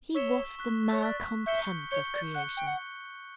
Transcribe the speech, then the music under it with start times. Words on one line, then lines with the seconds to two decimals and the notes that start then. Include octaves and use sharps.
He was the malcontent of creation.
0.14 C#5 C#6 E6 B6 E7 G7
0.59 C#6 F#6 B6
0.92 C#5
1.02 D5 C#6 F#6 B6
1.46 E5 C#6 G6 C#7 G7
1.91 C#5 C#6 G6 C#7 G7
2.13 D5
2.34 F#5 F#6 C#7 G7
2.57 G5
2.67 F#5